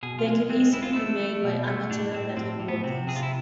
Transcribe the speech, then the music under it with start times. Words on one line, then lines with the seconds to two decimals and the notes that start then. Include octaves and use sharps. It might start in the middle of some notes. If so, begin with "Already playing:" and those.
They could easily be made by amateur metalworkers.
0.03 B2 G#4
0.19 F4
0.27 G#3
0.50 G#3 C4
0.73 G#3 E4
0.82 F4
0.93 A3 E4
1.20 A3
1.44 B2
1.67 A3
1.90 A2 D4
2.13 A2 C4
2.37 A2 C4
2.60 A2
2.68 B3
2.83 C3 C4
3.07 C3 G#4
3.16 F4
3.23 E4